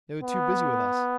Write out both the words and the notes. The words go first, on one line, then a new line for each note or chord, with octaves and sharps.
'They were too busy with us.
B3